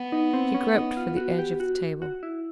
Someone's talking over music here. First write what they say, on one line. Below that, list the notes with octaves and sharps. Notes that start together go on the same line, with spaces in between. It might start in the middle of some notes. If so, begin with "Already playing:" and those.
She groped for the edge of the table.
Already playing: B3
D#4
C4
C#4
D#4
F4
F#4
G4
F#4
F#4
E4